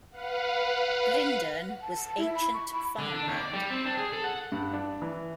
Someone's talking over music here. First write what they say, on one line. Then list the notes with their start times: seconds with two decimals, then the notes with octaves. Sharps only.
Blindern was ancient farmland.
0.11 B4 F5 F#5
1.69 F#5
1.82 A5
1.94 A5
2.18 E4
2.35 B5
2.53 C#6
2.72 B5
2.99 D3
3.15 D4
3.27 D#2
3.38 D5
3.53 G3
3.70 C4
3.85 D4
3.97 G#4
4.13 A4
4.24 F#5
4.52 G2
4.73 D4
5.02 E3